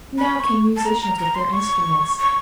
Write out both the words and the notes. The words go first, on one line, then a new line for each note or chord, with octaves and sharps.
Now came musicians with their instruments.
B5
C#6
A5
A#5
A#5
A#5
C6
C#6
C#6